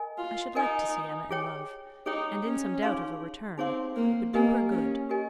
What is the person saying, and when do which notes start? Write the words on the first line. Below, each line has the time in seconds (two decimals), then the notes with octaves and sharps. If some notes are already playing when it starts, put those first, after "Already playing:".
I should like to see Emma in love, and in some doubt of a return; it would do her good.
Already playing: A#4 D#5 G#5
0.18 F4
0.55 D#4 A#4 D#5 G#5
1.31 G#4 C#5 G5
2.06 D#4 G#4 C#5 G5
2.44 C#4
2.82 D#4 G#4 C#5 F5 C6
3.58 C4 D#4 G#4 C#5 F5 C6
3.96 A#3
4.33 A#3 G4 A#4 D#5 G#5
4.71 C#4
5.09 G4 A#4 D#5 G#5